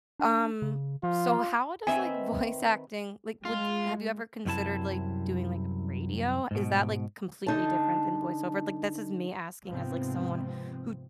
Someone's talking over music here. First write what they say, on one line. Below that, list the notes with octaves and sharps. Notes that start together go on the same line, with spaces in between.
um so how does, like, voice acting like, would have you ever considered, like, doing, like, radio? Is that, like, completely different than voice-over? Like, this is me asking as, like, someone who
D4
C#3
F3 F4
D#3 C4 B4 E5 G#5 B5
G#3 F4
C2 F#2 C3 E4 A5
G#2 B2
D3 D#4 A5
G#2 C3 F3 B3 C4